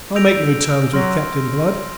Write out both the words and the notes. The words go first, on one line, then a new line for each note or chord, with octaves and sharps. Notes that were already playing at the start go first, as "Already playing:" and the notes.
I make no terms with Captain Blood.
E6 G6 A#6 D7 F7
F#3 C6 F6 A#6